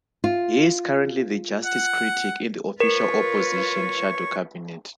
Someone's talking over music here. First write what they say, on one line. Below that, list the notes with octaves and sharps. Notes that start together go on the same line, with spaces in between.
He is currently the Justice Critic in the Official Opposition shadow cabinet.
F4
F#5
F4 A#4 B4 C#5